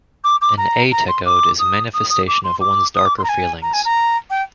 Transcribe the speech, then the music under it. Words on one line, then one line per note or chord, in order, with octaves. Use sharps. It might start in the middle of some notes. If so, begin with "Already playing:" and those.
An A-Techode is a manifestation of one's darker feelings.
D6
D6
A#5
A#5
C6
D6
D#6
D#6
D#6
D6
C6
D6
D#6
D6
C6
A#5
G#5
A#5
G#5
A#5
G5